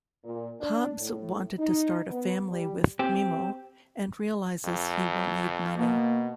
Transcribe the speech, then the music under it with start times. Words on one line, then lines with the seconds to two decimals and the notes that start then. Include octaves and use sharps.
Hobbs wants to start a family with Memo and realizes he will need money.
0.24 A#2
0.60 D4
1.00 A2
1.59 D#4
2.10 B3
2.50 G3
2.99 C4 G4
4.65 F2
5.78 B2 A#3